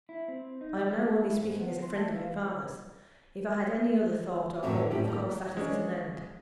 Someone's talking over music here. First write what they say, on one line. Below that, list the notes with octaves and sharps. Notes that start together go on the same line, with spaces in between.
I am now only speaking as a friend of your father's: if I had any other thought or hope, of course that is at an end.
E4
C4
D#4
F3
G4
E4
G#2
B3
C6
A3
F5
F#2 A2 D3 F#3 B3 C4
A2 F3 G3 C#4 E4 G4
A2 D#3 F#3 G3 A#3
G#3 C#4 D4